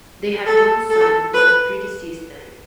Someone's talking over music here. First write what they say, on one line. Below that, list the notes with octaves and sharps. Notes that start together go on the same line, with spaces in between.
They had one son, who has predeceased them.
A4
A4
B4